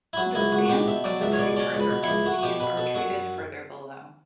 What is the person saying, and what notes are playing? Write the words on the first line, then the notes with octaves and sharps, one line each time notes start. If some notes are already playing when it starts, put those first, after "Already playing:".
The stamps of the precursor entities are treated further below.
E4
F#3 F#4
C#2 E4
C#2 F#4
F#4
B2 G4
B2 E5
F#3 D5
C#2 E5
C#5
B2 D5
C#4 D5
C#2
B4
B2
E4
C#2
A3 F#4
F#4
B2 G4
B2 B4
B2 A4
F#2 F#4